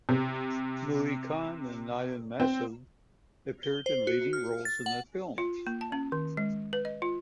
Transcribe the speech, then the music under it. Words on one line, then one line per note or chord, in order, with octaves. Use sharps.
Moin Khan and Nyla Masood appeared in leading roles in the film.
C3
C4
G7
C5
F#4
F6
A6
F#5
F4
A#3
A5
C#4
D#3
G#3
B4
D#5
F4